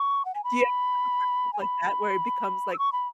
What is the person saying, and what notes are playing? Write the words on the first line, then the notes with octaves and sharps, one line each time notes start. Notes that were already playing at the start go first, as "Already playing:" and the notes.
Do you have some friendship like that, where it becomes, like,
Already playing: C#6
F#5
G#5
B5
G#5
B5
E6
C#6
B5